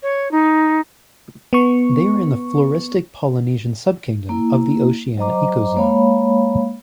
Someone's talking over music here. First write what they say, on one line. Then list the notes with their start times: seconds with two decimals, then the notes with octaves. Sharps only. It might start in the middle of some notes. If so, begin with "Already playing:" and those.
They are in the floristic Polynesian subkingdom of the Oceania ecozone.
0.03 C#5
0.31 D#4
1.53 B3 C#6
4.29 A#3 E4
5.18 F#3 C5 D#5 A#5 D6
5.76 G#3 A#3 C#5 F5 B5